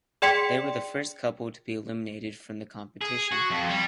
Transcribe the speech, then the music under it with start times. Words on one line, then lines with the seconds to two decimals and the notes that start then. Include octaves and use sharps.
They were the first couple to be eliminated from the competition.
0.22 G#4 D5 G5 C6 B6 C#7
3.01 G#4
3.32 F#4
3.50 F2
3.69 G3